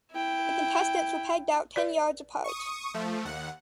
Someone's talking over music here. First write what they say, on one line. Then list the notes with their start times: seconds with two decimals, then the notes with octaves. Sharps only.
The contestants were pegged out ten yards apart.
0.11 E4 G5
1.76 B4 D5
2.44 C#6 D#6
2.94 F3 A3
3.25 D#2 F#5